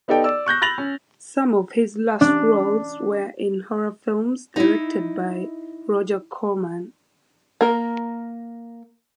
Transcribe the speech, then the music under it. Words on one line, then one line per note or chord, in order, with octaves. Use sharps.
Some of his last roles were in horror films directed by Roger Corman.
B3 D#4 G4 A4 D5 G5
D5 E6
C#6 F#6 G6 A#6
B5 A6 A#6 F7 F#7
C#4
D4
D#4 E4
A#3 A#4